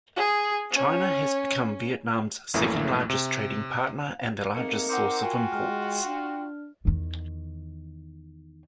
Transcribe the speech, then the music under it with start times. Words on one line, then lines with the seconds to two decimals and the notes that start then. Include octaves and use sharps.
China has become Vietnam's second-largest trading partner and the largest source of imports.
0.16 G#4
0.71 C#4
2.54 A#1 F#2 A2 E3 A3 A#3
3.10 C3
4.55 G#2 A3 A#3 C4 A#4 D#5 C#7
4.89 C4 D#4 F#5 D6 C#7
5.22 F4 F#4 G5 G#5
5.52 G#3 F6
6.05 D4
6.85 E2 D#3